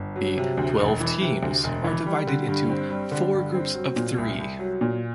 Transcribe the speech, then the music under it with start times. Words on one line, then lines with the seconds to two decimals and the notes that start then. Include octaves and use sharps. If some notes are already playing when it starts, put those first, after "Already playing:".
The twelve teams are divided into four groups of three.
Already playing: G1
0.16 F#3
0.37 C3
0.57 D2
0.80 E1
1.00 E3
1.21 C3
1.42 D2
1.64 E1
1.84 E3
2.06 G3
2.27 D3
2.49 G2
2.70 C4
2.91 G3
3.12 D3
3.33 G2
3.54 C4
3.75 F#3
3.96 A#2
4.18 C2
4.39 C2
4.59 F#3
4.81 A#2